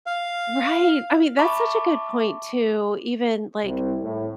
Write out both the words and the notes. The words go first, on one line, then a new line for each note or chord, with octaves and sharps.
Right! I mean, that's such a good point too, even, like,
F5
E5 A5 B5 C#6 D6
C2
A2